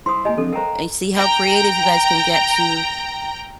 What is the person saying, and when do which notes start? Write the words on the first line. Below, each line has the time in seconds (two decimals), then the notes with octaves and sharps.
and see how creative you guys can get to,
0.06 E4 C5 C6 D#6
0.25 A#3 G4 D#5 G#5
0.38 F3 C4 D4 A4
0.53 A#4 C5 F5 G5 A#5
1.15 G5 A#5